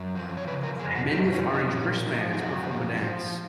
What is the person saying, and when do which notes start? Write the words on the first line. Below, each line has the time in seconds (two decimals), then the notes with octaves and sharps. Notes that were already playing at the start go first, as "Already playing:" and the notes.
Men with orange wristbands perform a dance.
Already playing: F#2
0.15 F3
0.37 C#5
0.47 C#3 B4
0.63 A#4
0.79 F2 G#4
0.95 F#4
1.11 F#2 D#4
1.32 C#4
1.43 F3
1.54 D#4
1.75 A#2 C#4
2.06 F3 D#4
2.33 G#4
2.39 F#2 F#4
2.70 F3
3.03 F3